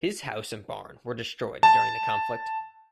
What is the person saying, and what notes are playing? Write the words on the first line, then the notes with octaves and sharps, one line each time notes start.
His house and barn were destroyed during the conflict.
A5